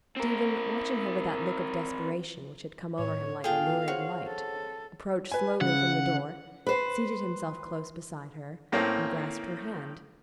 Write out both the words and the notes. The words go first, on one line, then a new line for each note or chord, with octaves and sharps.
Stephen, watching her with that look of desperation which had come over him like a lurid light, approached slowly from the door, seated himself close beside her, and grasped her hand.
C4 A#4
A2 C#5
B3 F4 G#4 A4 F5 G5 A5
F#4 G#4 C5 C#5
A4
B4 G#5
C#3 F#5
B4 C5
A2 A#3 C4 C#4